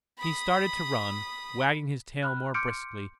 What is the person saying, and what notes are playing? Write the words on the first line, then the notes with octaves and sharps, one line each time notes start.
He started to run, wagging his tail more briskly.
B5 D#6
B5 F6 F#6
C6 D6 F6 G6 C#7 D7